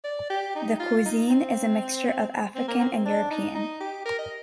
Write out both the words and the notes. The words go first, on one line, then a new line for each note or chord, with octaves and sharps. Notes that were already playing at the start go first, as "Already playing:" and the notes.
The cuisine is a mixture of African and European.
D5
G4
D#4
F4
D#4
C4
C4
A#3
C4
C4
D4
D#4
D#4
G4
A#4
D#5